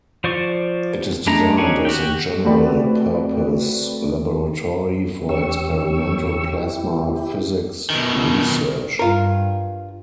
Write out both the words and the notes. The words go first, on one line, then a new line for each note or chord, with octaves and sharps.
It is designed as a general-purpose laboratory for experimental plasma physics research.
F3 C5 D5 C#6
G#3 A3 D4 A#5
C#4 D#4 F#4 G#4 D5
F#4 G4 G5
A3 C4 F#4 B4 D5
E2 C#4 G4 C#6 E6
E4 G4
B2 D#3
G2 F4 A#4